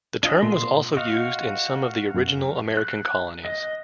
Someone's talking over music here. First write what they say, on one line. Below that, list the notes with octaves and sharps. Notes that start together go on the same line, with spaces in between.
The term was also used in some of the original American colonies.
D4 F4 D#5
A#2 C6
F#4 D#5 F5
F#2
F#6
D#5